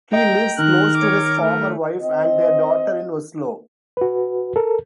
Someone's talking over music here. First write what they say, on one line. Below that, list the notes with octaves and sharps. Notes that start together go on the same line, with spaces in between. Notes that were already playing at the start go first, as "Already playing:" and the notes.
He lives close to his former wife and their daughter in Oslo.
D#5 G5 A#5
D#3 A#4 F#6
C#5 D6
A3 A#4
C4 D#5
F#4 B4
A4 A#4